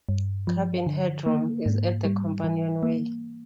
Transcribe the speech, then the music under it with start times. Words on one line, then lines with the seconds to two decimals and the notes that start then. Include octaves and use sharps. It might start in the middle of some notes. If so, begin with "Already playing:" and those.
Cabin headroom is at the companionway.
0.09 G2
0.47 F3
0.86 D3
1.26 A#3
1.66 G#2
2.04 G3
2.44 E3
2.83 A#3